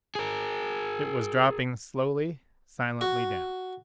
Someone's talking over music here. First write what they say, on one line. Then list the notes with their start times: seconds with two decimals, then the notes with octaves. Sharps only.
It was dropping slowly, silently down.
0.15 G#4 A#4
3.01 F#4